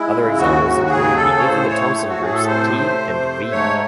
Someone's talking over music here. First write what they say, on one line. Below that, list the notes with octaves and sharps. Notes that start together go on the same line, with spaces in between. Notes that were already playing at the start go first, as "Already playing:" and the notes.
Other examples include the infinite Thompson groups "T" and "V".
Already playing: G#3 E4
C#3
E4
D#2 F#4
D#2
F#4
C#3 G#4
C#3 A4
C#5
A2 C5
A3 C#5
A3
F#4
A2 G#4
A4
C3 C5
A3
C3
A3
G#2 C#5